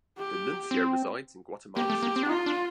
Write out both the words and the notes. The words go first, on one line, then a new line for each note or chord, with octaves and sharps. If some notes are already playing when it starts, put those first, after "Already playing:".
The nuncio resides in Guatemala City.
G4
C4
A#3 G4
A3
A#3
C4
D4
D#4 F4
D4